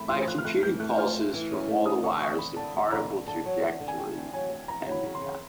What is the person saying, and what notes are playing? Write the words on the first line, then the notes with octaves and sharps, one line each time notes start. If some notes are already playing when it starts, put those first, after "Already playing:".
By computing pulses from all the wires, the particle trajectory can be found.
Already playing: A3 B5
F4 C6
F4 F#6
F6
A3 F#6
E3 G6
A3 F#6
F4 F6
A3
E3
C#4
A3
D2 D#6
D3 C#6
D2 C#6
D2 B5
D3 A5
D2
D3 A#5
D3
D3 A5
F#3
D2 F#5
D3
G#5
D2 G5
D2
F#3 G#5
D2
E2 A#5
F#3
B5
C#3
C6
C#3